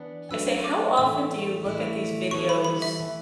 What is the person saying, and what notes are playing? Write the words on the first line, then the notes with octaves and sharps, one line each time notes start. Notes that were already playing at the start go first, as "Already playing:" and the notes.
I say, "How often do you look at these videos
Already playing: E3 B3 D4
F#3 A3 D4 F#4 B4 E6
D6
A2 E3 A3 E6
A2 E3 A3 E4
E3 G3 B3 E4 A4 C#6
B5
B5
E5
E3 A3